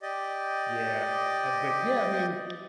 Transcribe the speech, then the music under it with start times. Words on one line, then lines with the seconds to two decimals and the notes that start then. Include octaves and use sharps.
Yeah. Ah, but yeah, I mean,
0.02 G4 D5 D#5